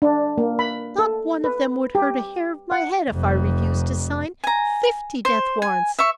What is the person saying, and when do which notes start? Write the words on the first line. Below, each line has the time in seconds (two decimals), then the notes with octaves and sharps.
Not one of them would hurt a hair of my head if I refused to sign fifty death-warrants!
0.02 D4
0.38 A#3
0.59 B5
0.99 A4
1.44 B4
1.95 G4
2.72 F#5
3.11 F1 F2
4.44 G#5 A#5
5.25 C5
5.62 G#5
5.99 E5 C#6